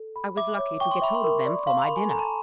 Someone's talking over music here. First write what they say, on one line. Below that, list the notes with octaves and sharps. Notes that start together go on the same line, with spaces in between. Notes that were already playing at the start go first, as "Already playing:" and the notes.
"I was lucky to get hold of them for my dinner."
Already playing: A4
B5
E5 D6
C#5
G5 C#6
C6
E5 B5
C6
A#4
D5
F5 C6
B5
A#4
G#5
A4 A#5
A5